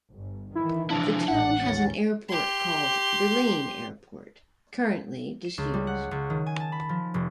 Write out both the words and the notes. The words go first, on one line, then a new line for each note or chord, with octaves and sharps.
The town has an airport called Bilene Airport, currently disused.
G1
D#3 E3 E4
C3 F3 D4 E4
A1 A#2 G#3 F#5
D#2 C#4 A6
G4 C6
E7
C#2
G3
F#5
C#2
D#3
G#5
A5
B5
F3
F1